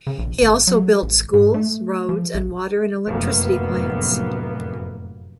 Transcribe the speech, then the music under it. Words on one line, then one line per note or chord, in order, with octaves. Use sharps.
He also built schools, roads, and water and electricity plants.
C#3
A#1
G#1
F#3
A1
G#2
A3
F3
A#1
F1 F#2 A2 A#3 B3